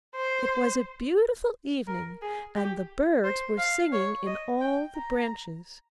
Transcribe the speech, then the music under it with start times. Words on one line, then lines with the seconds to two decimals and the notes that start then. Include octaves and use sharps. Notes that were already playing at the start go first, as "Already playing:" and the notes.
It was a beautiful evening, and the birds were singing in all the branches.
0.15 C5
1.87 A#4
2.22 G#4
2.56 G4
3.24 C5
3.58 F5
3.93 C#5
4.26 D#5
4.61 G5
4.96 A#5